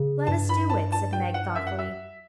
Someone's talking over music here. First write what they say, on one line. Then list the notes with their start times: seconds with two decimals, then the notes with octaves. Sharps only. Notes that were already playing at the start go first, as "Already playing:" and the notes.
"Let us do it," said Meg thoughtfully.
Already playing: C#3
0.27 G2 A5
0.49 B5
0.69 A5
0.92 A5
1.13 G5
1.34 F#5
1.55 F#2 E5
1.67 F#5
1.79 E5